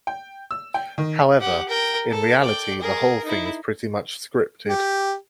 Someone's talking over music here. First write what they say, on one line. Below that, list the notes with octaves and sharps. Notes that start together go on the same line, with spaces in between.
However, in reality the whole thing is pretty much scripted.
G5
E6
G5
D#3
G4 F#5
A#4 G5
A4
D5 G5
G#4 A#4
D#4 E4
G4